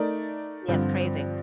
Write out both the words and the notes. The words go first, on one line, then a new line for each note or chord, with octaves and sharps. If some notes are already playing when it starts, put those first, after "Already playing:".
Yeah, it's crazy.
Already playing: A3 D#4 A#4 D5
G2 D3 F3 C4 F4